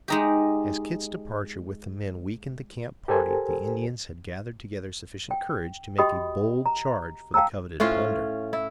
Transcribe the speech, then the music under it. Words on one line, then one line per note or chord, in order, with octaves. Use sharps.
As Kit's departure with the men weakened the camp party the Indians had gathered together sufficient courage to make a bold charge for the coveted plunder.
G#3 D#4 G4
G4 A4 A#4 C5 G#5
G5
F#4 G4 D#5 G5 B5 D#6
A#5
F5 G5 A5 A#5 E6
A2 C#4 F4 C5
E4